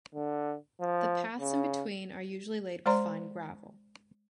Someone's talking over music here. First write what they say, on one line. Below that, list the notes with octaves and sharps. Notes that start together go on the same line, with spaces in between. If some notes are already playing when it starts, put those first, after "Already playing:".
The paths in between are usually laid with fine gravel.
D3
F3
C#3
G#3 C5 D5 A#5 C6